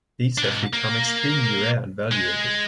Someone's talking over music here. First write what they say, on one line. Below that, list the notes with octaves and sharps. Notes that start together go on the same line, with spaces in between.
These have become extremely rare and valuable.
G#2 D4
A#3
G#3